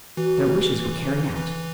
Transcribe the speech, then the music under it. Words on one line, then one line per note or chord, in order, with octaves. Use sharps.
Their wishes were carried out.
E3 F#4
E3